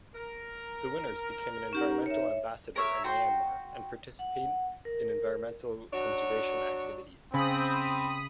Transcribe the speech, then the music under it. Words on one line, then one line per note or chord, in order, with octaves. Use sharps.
The winners become an Environmental Ambassador in Myanmar and participate in environmental conservation activities.
A#4
C#4 D#4 G4 F#5
C#5 E5
A#4 C#5 E5
F#4 G5 C6
F#5
A#4
F#3 D4 F#4 C#5
C#3 C4 B5 D#6